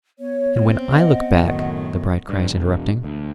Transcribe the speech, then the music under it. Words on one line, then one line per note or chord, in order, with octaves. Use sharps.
'And when I look back--' the bride cries, interrupting.
B3 C#5
C4
D#5 F#5
F#2 A2 D#3
G2
E1
D2